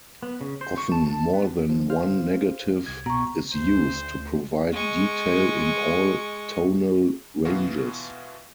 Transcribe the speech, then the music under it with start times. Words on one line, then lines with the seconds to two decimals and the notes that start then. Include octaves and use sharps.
Often more than one negative is used to provide detail in all tonal ranges.
0.23 B3
0.41 C#3
0.61 C5
0.78 C#6
0.92 A5
1.07 A5
1.34 B3
1.69 F3
1.90 C5 F5 F6
2.86 C2 G#6
3.06 B2 A#5 C#6
3.51 D2 C5
4.72 G#3 C#6
7.45 B2 E3 B3 F4 F#4